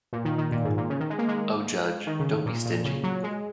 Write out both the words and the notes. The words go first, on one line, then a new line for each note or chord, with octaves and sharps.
Oh, judge, don't be stingy.
A#2
D#3
D#3
A#2
G#2
A#2
C#3
D#3
G#3
A#3
G#3
D#3
C#3
A#2
A#2
C#3
F#3
G#3